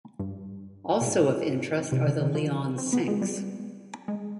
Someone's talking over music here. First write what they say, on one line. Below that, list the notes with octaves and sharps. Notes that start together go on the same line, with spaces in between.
Also of interest are the Leon Sinks.
G2
B2
G#2
C3
D3
D#3
F3
C4
B3
G#3
G3
G#3